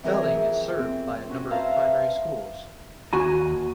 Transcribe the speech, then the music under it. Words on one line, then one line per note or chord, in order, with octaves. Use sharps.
Felling is served by a number of primary schools.
C3 E3 F#3 G#4 A#4
F2
C4
C#4 F#4
B4 C5 E5 F5 A5 A#5
D#2 F#4 G#5 A#5